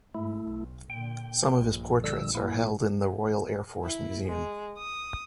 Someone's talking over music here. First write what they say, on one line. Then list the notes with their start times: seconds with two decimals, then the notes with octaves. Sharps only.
Some of his portraits are held in the Royal Air Force Museum.
0.15 G#2 A3 E4
0.47 B1
0.90 A#2 D3 G5
1.57 A#1 G2
2.04 D3 G3 E6
2.35 A#3 E4
3.85 E4
4.27 G#3
4.78 D#6